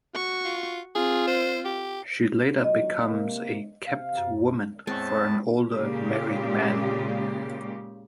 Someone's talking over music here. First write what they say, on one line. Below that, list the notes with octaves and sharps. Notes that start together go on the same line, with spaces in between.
She later becomes a "kept woman" for an older, married man.
F#4 C#6
F4
C4 F4 G#4
C5
G4
A#2 D#3 F#3 D#5
C3 A#3
C3 F5
F#2
E2 A2 G#3 B3 C4 C#5 A5
A#2 C#3 G#3 G4